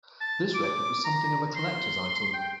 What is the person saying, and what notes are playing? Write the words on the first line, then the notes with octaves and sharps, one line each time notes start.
This record was something of a collector's item.
A5
D6
A#5
C6
G5